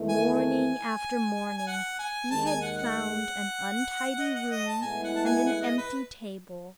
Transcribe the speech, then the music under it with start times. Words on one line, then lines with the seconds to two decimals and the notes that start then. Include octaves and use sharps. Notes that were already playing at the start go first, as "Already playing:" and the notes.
Morning after morning he had found an untidy room and an empty table.
Already playing: E2 D#3 A3
0.09 G#5
0.25 G#5
1.57 G#5
1.67 F#5
1.99 G#5
2.31 D#2 D#3 G#3 A5
2.46 G#5
2.62 F#5
2.78 F#5
4.19 D#5
4.35 F#5
4.51 D#5
4.66 A5
4.82 A2 G#3 B3 E4 G#5
5.04 F#5
5.16 A5
5.25 G#5
5.46 F#5
5.61 D#5
5.78 B4